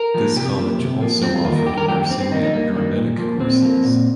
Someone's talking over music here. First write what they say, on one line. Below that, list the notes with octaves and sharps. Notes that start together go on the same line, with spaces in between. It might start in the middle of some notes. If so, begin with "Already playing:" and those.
This college also offered Nursing and Paramedic courses.
Already playing: A#4
F3 A#3
C3 G4
F3 A#3
C3
F3 A#3
G2 C4
F4
D#3 G3 A#3 F4
A#4
G2 G4
A#4
D#3 G3 A#3 G4
G4
G2 C4
C4
D#3 G3 A#3 D#4
D#4
G2 A#3
D#3 G3 A#3
A#2
F3 A#3
A#2 C4
F3 A#3
A#2